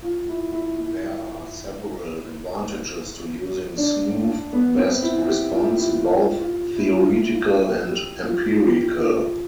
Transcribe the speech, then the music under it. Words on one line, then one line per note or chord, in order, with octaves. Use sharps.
There are several advantages to using smoothed best response, both theoretical and empirical.
F4
E4
E4
E4
D4
B3
C4
E4
G4
F4
E4
F4
F4
E4
F4
F4
F4
G4
G4
F4
F4
G4
F4